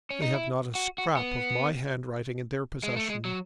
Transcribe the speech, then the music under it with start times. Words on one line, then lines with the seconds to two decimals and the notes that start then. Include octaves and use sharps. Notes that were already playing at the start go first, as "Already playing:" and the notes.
They have not a scrap of my handwriting in their possession.
0.10 C#4
0.22 D#4
0.34 E4
0.75 F#4
0.98 F#4
1.17 B3
2.83 G#3
2.96 A3
3.10 G#3
3.25 F#3